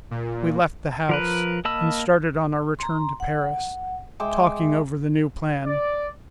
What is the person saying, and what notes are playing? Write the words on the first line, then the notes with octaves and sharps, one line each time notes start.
We left the house, and started on our return to Paris, talking over the new plan.
A#2
F3 A#4 B4
A#3 D#5 A5 B5 E6
A#5 C6
F#5
G#3 E5 G5 D6
D5